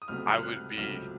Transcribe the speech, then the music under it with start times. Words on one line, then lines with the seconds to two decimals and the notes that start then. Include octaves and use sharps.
I would be
0.02 D#6
0.08 C#2 C3 F#3 A3 F6
0.38 F6
0.43 F#6
0.78 C#2 C3 F#3 A3 F6